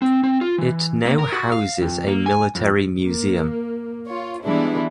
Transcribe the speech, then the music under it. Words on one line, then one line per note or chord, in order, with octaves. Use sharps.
It now houses a military museum.
C4
C4
F4
E3
A#3
A#4
F#4
F5
F2
A#3
G#5
F2
A#3
F4 C#5
E3 G3 G#3 B3 D4 E4